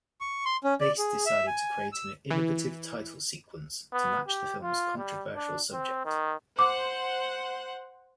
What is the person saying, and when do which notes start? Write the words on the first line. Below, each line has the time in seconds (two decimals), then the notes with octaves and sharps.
Bass decided to create an innovative title sequence to match the film's controversial subject.
0.21 C#6
0.46 C6
0.64 C#4
0.81 D5
0.98 G#4
1.26 E5
1.47 G#5
1.92 E6
2.31 E3
3.93 B3
4.27 G4
4.62 F4
4.97 G3
5.36 D4
5.72 C4
6.05 D#3
6.59 C5 F#5 D6